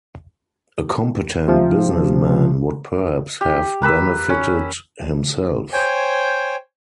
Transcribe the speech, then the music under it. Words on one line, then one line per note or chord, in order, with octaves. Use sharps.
A competent business-man would perhaps have benefited himself.
C3 F3
G4
A#3 B4 B5 E6
C#4
C5 C#5 G5 G#5